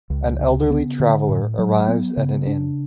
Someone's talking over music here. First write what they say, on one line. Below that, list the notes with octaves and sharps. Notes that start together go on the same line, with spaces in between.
An elderly traveler arrives at an inn.
C#2
C#3
B3
D3
A2
F#3
B3
C#3
D4